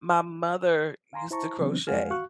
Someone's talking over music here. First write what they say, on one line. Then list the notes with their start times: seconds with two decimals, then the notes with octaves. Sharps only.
my mother used to crochet,
1.13 F5 G#5 A#5 C6
1.31 E4 C5 A5 A#5 C#6
1.59 C#3 E3 F#3 B3 C4 D4
1.87 F2 G#3 F5 F#5 G#5 F6
2.10 F#4 F5 C#6 F#6